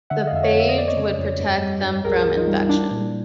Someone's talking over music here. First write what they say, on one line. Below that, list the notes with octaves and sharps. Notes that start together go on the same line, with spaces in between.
The phage would protect them from infection.
D3 E5 F#5
D#5 F5
F2 E5
C#5 D#5
F2
E5
D#5
F2 D5
C#5 D#5
C#3
F2
G2
G3
G2
C#2 G#4 A#4
E3
D#4 F4
G3
G3 D4 E4
A#2